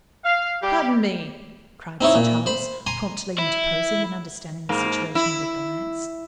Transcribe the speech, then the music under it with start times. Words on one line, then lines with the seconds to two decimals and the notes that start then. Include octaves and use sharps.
"Pardon me," cried Sir Charles, promptly interposing and understanding the situation at a glance.
0.24 F5
0.62 G3 G4
2.01 C4 D#4 E4 C#5
2.15 A#2
2.46 C5 B5
2.87 G#5 A#5 C6
3.39 E4
4.69 G#2 A#3
5.15 E4